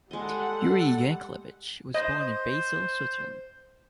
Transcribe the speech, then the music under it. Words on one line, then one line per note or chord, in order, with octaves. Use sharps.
Yuri Yankelevich was born in Basel, Switzerland.
G3 G#3 A4 D#5 F#5
C5 D#5